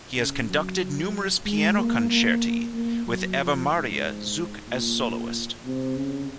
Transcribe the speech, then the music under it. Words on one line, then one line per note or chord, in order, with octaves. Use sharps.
He has conducted numerous piano concerti with Eva Maria Zuk as soloist.
C#3
F#3
G#3
A#3
A#3
A#3
F#3
F3
G#2
A#2
C3
C#3